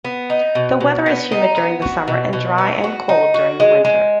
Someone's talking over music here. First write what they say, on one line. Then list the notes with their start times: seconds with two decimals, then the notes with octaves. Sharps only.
The weather is humid during the summer and dry and cold during the winter.
0.05 B3
0.30 D#4
0.55 B2
0.80 B2
1.06 B3
1.32 D#4
1.57 B3
1.82 F#4
2.08 B2
2.33 B2
2.58 B3
2.84 F#4
3.09 D#4
3.34 F#4
3.60 G#3
3.85 G#3